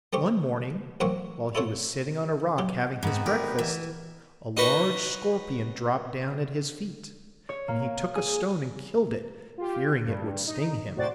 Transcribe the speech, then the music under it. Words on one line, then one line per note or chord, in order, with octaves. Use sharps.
One morning, while he was sitting on a rock having his breakfast, a large scorpion dropped down at his feet, and he took a stone and killed it, fearing it would sting him.
A3 C4 G4 C#6
A1 F#3 A#3 C4 F#5 C#6
E4 F4 A4 C#5 F#5
F#3 G4
G#2 B3 C4 D#4 B4
D2 G#3 G4 A#4
E3
D#4 F#4 B4 C#5
C#5
A#3
G#4
F4 G4
G2
D#4
A2 C3 F#4 C5 D5 A6